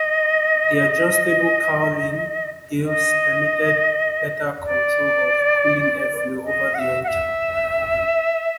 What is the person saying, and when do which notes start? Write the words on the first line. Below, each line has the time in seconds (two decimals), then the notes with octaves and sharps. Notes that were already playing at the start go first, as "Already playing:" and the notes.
The adjustable cowling gills permitted better control of cooling airflow over the engine.
Already playing: D#5
2.86 D#5
4.65 D5
6.44 D#5
6.74 F#5
6.79 E5
7.04 F#5
7.08 E5